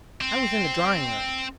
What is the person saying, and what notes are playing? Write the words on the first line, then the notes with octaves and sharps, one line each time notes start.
"I was in the drawing-room."
C4